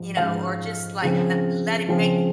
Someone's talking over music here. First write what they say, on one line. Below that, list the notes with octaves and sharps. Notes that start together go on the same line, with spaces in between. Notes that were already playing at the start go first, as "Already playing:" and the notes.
you know, or just, like, na letti maki
Already playing: G#2 F3
G#2 F3 G#3 F5
C#3 F3 C4
C#3 F3 C4